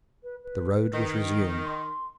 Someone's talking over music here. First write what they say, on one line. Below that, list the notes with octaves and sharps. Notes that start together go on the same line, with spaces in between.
The road was resumed.
B4
B4
D#3
C6